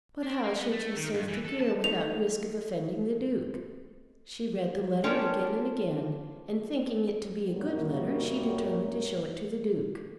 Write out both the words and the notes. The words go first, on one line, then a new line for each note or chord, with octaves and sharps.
But how should she serve Tregear without risk of offending the Duke? She read the letter again and again, and thinking it to be a good letter she determined to show it to the Duke.
D4
A#3
B3
A3
D#3
G2
E3
A4
A5
A3 D#4 F7
C#4 D4 F4 A#4 C#5 G5
F#2 A#2 G3 A#3 F#4 C#5